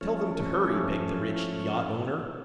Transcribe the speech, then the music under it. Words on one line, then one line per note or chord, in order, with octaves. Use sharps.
"Tell them to hurry," begged the rich yacht owner.
F3 A3 C#4